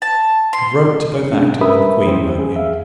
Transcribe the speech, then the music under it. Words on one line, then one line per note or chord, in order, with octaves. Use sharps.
I have wrote to both Acton and the Queen about you.
A5
C6
C3 C#4 D4
G4 A#4 B4 E5 B5 D#6
E3 C#4 G4 C5
G#4
E5 F5